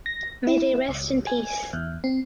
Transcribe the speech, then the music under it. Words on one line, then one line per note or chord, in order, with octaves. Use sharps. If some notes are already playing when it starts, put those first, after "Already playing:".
May they rest in peace.
A#6
E4
C#2
G#5
E2
C4